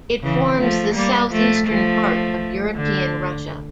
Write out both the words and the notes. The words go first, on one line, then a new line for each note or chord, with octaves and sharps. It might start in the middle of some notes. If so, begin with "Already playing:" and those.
It forms the southeastern part of European Russia.
C#3 E3
F3 A3
G3 A#3
F3 A3
F3 A3
D3